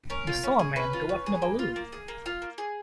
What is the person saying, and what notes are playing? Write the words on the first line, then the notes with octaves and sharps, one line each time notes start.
We saw a man go up in a balloon.
C#4 A#4
F4
C#4
G#4
C#4 B4
F4
C#4
G#4
A#3
F4
A#3
G#4
A#3
F4
A#3
G#4